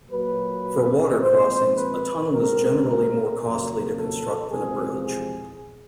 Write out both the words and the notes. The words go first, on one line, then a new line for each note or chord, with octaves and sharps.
For water crossings, a tunnel is generally more costly to construct than a bridge.
A#2 F#3 A#3 B4
A#2 F3 G#3 C4 C5
B4
B2 G#3 C4 A#4
A#4
F2 C#3 F#3 A#3 A#4
A4
E2 C3 F3 G#3 C4 G#4
G#4